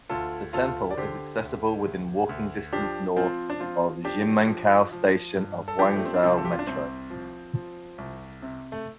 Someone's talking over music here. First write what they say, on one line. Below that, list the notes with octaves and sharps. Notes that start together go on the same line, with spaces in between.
The temple is accessible within walking distance north of Ximenkou Station of Guangzhou Metro.
D2 F4 A4
D2 F4 A4
D5
D3 G4 C5
D2
D2
D2
F3 D4 G4
F3 C4 F4
D4
F3 C4 F4
F3 D4 G4
F3
F3
G2
A4
F3 D4 G4
A3
C4
D4
C2 C4 F4
A4
G4
F4
D4
C2 C4
F3
F3
C2
C3
A3